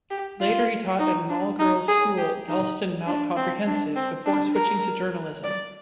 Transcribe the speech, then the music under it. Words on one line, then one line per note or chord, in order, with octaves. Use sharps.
Later he taught at an all-girls school Dalston Mount Comprehensive, before switching to journalism.
G4
F4
D#4
D4
D#4
G#4
G4
D#4
D4
C4
D4
C4
D4
A#4
D5